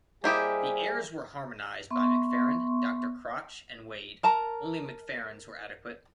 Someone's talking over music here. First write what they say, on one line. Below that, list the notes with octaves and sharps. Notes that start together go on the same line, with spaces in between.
The airs were harmonised by Macfarren, Doctor Crotch, and Wade; only Macfarren's were adequate.
G3 A#3 E4 G4 G#4 C5 D#5
B3 E5 C6 C#6
A#4 A5 A#5